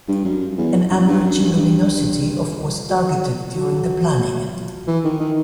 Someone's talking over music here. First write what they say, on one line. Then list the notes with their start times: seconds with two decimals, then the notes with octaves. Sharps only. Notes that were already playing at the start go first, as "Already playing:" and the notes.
An average luminosity of was targeted during the planning.
0.08 G2
0.25 F#2
0.58 E2
0.91 F#2
1.08 G2
1.24 F#2
1.40 G2
1.57 G2
2.89 F#3
3.55 F#3
4.88 E3
5.04 D#3
5.20 D#3